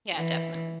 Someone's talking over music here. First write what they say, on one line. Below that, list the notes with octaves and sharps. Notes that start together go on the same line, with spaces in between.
Yeah, definitely.
E3